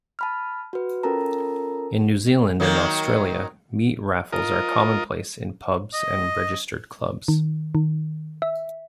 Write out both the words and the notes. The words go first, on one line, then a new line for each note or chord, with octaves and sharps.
In New Zealand and Australia, meat raffles are commonplace in pubs and registered clubs.
A5 B5 F6
F#4 B4
C#4 F4 A4 A#4 A5 A#5
D#3 F#3 A#3
F4 A#4 D#5
D#5
D#3
D#3
E5